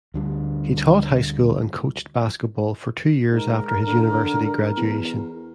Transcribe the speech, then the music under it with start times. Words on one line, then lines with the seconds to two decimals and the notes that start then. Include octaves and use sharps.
He taught high school and coached basketball for two years after his university graduation.
0.14 D2 D3 G3
3.32 G#2 A#4
3.87 D3
4.77 E2